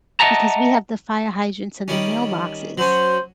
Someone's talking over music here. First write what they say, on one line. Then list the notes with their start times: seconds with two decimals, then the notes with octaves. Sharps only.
because we have the fire hydrants and the mailboxes,
0.20 D#5 E5 F#5 A5 A#5
1.88 D#3 G3 C#4
2.78 F#3 C#4 C5